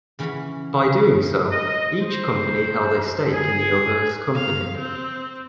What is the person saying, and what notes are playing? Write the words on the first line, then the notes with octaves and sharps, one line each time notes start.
By doing so, each company held a stake in the other's company.
C#3 E3 C#4 F5 F#5 B5
D#5
C5
G#4
F5
C4